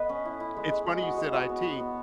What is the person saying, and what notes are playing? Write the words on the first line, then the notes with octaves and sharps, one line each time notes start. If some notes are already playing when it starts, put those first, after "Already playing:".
It's funny you said IT.
Already playing: B3 A4 B4 D#5
C#4
E4
E4
G#3
G#3
G#3
F#4
G#3
F#4
B3
F#4
B3